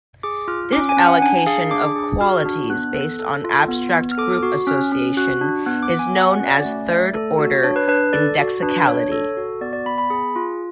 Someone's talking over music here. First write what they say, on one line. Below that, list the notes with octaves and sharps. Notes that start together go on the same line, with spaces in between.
This allocation of qualities based on abstract group association is known as third-order indexicality.
G#4 D6
F4 F6
C#4 D6
G#5
C#4
F#5
D4 G#5
G#4 F5
D4 D6
G#4
F#4 F6
D4
B3 F#6
A4
A4
F4
B3
B3
F6
A4 D6
F#4
C#4 F6
C#4
F#4 F#6
D4
B3 F#6
D6
B3
G#5
F#4 F#5
F#5
C#4
D5
A3
A3
A4
F#4
D4 C#5
B4
D4 B4
A4 D5
F#4
D4 B4
D4 C#5
A4
F#4
B3 D5
D5
B3 B5
B5
G#4
F4